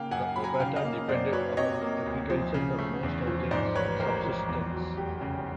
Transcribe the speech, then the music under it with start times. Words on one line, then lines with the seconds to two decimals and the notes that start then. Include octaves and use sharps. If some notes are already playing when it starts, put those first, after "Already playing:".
The Opata depended upon agriculture for most of their subsistence.
Already playing: C#3 A#3 F5 G5
0.11 F#2 F#5 G#5
0.36 F#3 B5
0.44 G#5 A#5
0.60 C#3 F5 G5
0.76 D#5 F5
0.84 A#3
1.08 F#2 C5 D5
1.32 F#3 B4 C#5
1.57 C3 C#5 D#5
1.81 A#3
2.06 D2
2.30 F3
2.54 C#3
2.79 A3
3.03 E2
3.27 F3
3.51 G#2 C5 D5
3.75 A1 B4 C#5
4.00 A1 A#4 C5
4.24 F3
4.48 E2
4.73 F#3
4.97 F1 G4
5.21 C#3